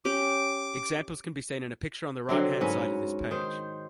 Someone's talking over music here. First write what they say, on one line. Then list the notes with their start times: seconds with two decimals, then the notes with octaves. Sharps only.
Examples can be seen in a picture on the right-hand side of this page.
0.05 C#4 G4 D6
2.29 D3 F#3 C4
2.61 G#2 F#3 C#4 B4
3.31 D#3 C5